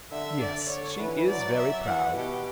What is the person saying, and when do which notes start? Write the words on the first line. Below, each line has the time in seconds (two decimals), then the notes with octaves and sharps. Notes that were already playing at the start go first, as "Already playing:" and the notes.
"Yes, she is very proud."
0.11 D3 E5
0.40 D3 D5
0.69 C#5
0.99 E3 B4
1.28 F#3 D5
1.57 E5
1.87 E3 F#5
2.15 B2 G4